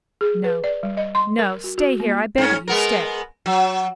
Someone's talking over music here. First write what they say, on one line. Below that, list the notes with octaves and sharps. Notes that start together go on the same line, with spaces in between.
No, no. Stay here, I beg of you, stay.
G#4
B4
D5
G3
D#5
C6
A#4
F#4
F#4
A#3
G#2 C#4
G#3 B3 A#4
F#3